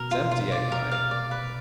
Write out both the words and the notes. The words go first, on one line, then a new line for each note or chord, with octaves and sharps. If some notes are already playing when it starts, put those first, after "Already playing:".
"It's empty," I cried.
Already playing: B2 A#4
F4
C3 F4
D5
A#4
F5
D5
B4